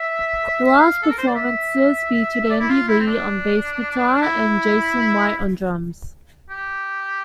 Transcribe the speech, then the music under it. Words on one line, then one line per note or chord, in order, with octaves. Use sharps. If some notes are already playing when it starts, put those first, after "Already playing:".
The last performances featured Andi Lee on bass guitar and Jasen Whyte on drums.
Already playing: E5
F5
A4
A#4
C5
D5
E5
E5
D5
E4
F4
E4
C4
D4
E4
G4